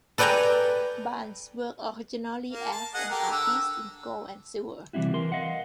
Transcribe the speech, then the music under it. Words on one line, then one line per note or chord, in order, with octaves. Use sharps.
Barnes worked originally as an artist in gold and silver.
A4 B4 D5 G5 G#5 A#5
A#3
A5
G#4 D#5 F#5
G4 A4 A#4
D3 E6
C3 E3 G3 C4 E4 F#4
E3 A#4 C6
D#5 F5 F#5